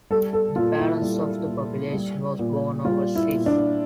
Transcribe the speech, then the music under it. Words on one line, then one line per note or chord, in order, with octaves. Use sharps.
The balance of the population was born overseas.
G3 A4
A4
A#2 F4
E4
G3
A#2
G3
A#2
G3 F4
E4
A#2
D4